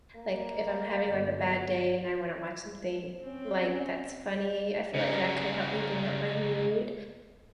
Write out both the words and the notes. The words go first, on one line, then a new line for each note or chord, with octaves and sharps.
like, if I'm having, like, a bad day and I wanna watch something, like, that's funny, I feel like that could help me bring up my mood,
A#3
G1
C4 C#4
C#3 A#3